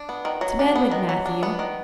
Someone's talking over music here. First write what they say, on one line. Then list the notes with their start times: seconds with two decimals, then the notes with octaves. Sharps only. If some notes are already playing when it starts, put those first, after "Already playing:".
To bed went Matthew.
Already playing: D4
0.09 B3
0.25 D#3
0.41 F#3
0.59 D4
0.76 B3
0.91 D#3
1.09 F#3
1.26 D4
1.43 B3
1.59 D#3